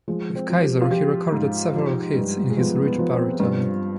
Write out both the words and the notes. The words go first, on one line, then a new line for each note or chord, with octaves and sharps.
With Kyser he recorded several hits in his rich baritone.
F3 G#3
C4
F3
G4
F4
F3 G4
G#2
F3
G2
G#3
F3 B3
B3
F3
C4
G2